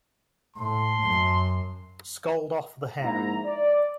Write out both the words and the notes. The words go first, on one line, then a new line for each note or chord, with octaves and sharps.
Scald off the hair.
A2 A5 C6
F#2
A#1 G#2 E4 A#5
D5